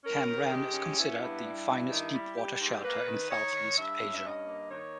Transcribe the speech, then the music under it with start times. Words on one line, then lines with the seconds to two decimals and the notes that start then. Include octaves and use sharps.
Cam Ranh is considered the finest deepwater shelter in Southeast Asia.
0.04 C#4 A#4
0.27 D#3
0.50 G#3 G4
0.74 C#4
0.97 B3 E4
1.21 G2
1.44 G3
1.67 G2
1.91 D#3
2.14 G3
2.37 G3 G4
2.60 G#2
2.84 A#3 B4
3.07 D#3
3.30 D#4 C#5
3.53 D#3
3.77 G2 E5
4.00 C#4
4.15 E5
4.23 G2 D#5
4.46 A#3
4.70 D#3 C#5